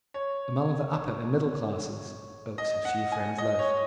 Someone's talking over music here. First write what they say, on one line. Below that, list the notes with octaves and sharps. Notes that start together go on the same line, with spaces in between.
Among the upper and middle classes Oates had few friends left.
C#5
D#5
F#5
G#5
D#5
C#5